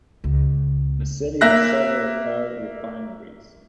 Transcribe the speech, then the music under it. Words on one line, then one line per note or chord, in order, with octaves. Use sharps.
The city has several oil refineries.
C#2
A#3 E5 F#6 A#6